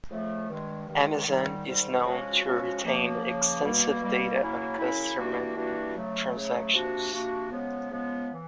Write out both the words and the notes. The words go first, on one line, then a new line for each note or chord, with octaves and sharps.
Amazon is known to retain extensive data on customer transactions.
F2 C#3 F3 A3
G2 D#3 G#3
G2 D#3 G#3
G#2 D#3 G3
G#2 D#3 G3
C#3 F3 G#3 C#4 F#4
C#3 F3 G#3 C#4 F#4
C#3 F3 A#3
C#3 F3 A#3
B2 G3 A#3
B2 G3 A#3
C#3 F#3 A#3 C#4 E4
C#3 F#3 A#3 C#4 E4
E3 G3 A#3 D4 F#4
E3 G3 A#3 D4 F#4
C#3 F#3 A3
C#3 F#3 A3
C3 F3 A#3 D4 F#4
C3 F3 A#3 D4 F#4
C#3 F3 G#3 B3
C#3 F3 G#3 B3
E3